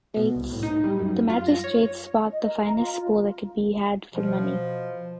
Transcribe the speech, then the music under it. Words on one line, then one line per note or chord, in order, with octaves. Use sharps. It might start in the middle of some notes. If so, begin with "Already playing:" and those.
The magistrates bought the finest bull that could be had for money.
B2
C2
A2
D#4
G3
F#2
F4
A#6
C#5
D#5
A#4
A#5
F4
B2 F3